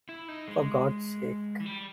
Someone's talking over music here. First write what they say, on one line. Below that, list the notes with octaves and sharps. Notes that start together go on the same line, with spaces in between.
For God's sake.
E4
D#4
G#3
E3
G3